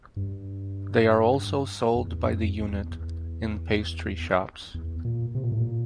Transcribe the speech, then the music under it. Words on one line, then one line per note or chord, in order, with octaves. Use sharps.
They are also sold by the unit in pastry shops.
G2
F2
E2
G2
F2
E2
E2
E2
A#2
C3
A#2
A2
A#2